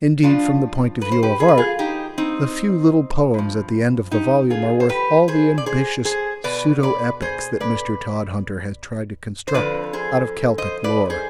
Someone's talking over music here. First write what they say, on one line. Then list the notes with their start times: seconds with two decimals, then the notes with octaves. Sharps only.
Indeed, from the point of view of art, the few little poems at the end of the volume are worth all the ambitious pseudo-epics that Mr. Todhunter has tried to construct out of Celtic lore.
0.23 G2 F3 D4 F4
1.02 B4
1.12 C5
1.23 G4 B4
1.40 G#4
1.48 B4
1.58 F4 G#4
1.79 D#4 G4
2.18 C4 D#4
3.34 G2 F3
4.11 D#4 G4
4.50 F4 G#4
4.80 C5
4.89 G4 B4
5.28 G#4 C5
5.58 D5
5.66 G#4 C5
6.05 G#4 C5
6.44 B2 B4 D5
6.83 B4 D5
7.22 G#4 C5
7.60 B4 D5
9.48 C5
9.54 F2 D3 F3 B4 D5
9.93 G#4 C5
10.58 C5 D#5
10.84 B4 D5
11.10 G#4 C5